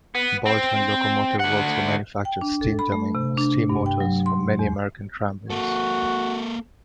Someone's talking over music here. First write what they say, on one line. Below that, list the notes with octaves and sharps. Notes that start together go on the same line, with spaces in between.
Baldwin Locomotive Works manufactured Steam Dummy or Steam Motors for many American tramways.
B3
C4
D2 F#5
G5
D4
A4
B5
A3
C3
D4
G2
G5
F#3
C6
E2
A#3 F#4 A4